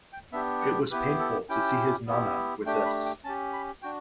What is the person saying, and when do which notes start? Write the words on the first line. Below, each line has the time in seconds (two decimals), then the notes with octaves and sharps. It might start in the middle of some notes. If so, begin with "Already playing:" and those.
It was painful to see his Nonna with this.
0.13 G5
0.32 B3 D4 G4 E5
0.61 F#5
0.91 B3 E4 G4 B4
1.20 A4
1.49 C#4 E4 G4 G5
2.07 B3 E4 G4
2.66 A3 D4 G4 G5
2.86 B5
3.05 G5
3.24 C#4 G4 A5
3.53 B5
3.82 D4 F#4 G5